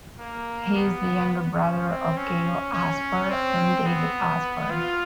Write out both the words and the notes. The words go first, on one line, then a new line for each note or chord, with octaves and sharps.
He is the younger brother of Gail Asper and David Asper.
A#3
B3
C#4
C4
C#4
C#4
C4
B3
F4